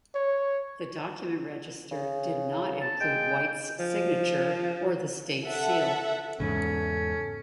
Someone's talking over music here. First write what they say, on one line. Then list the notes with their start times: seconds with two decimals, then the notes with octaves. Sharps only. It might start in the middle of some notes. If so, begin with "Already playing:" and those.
The document registered did not include White's signature or the State Seal.
0.14 C#5
1.91 C#3
2.81 A5
3.01 G#3 G5
3.80 F3
5.46 A4 E5 F#5
6.40 E2 G#2 C#3 C#4 A4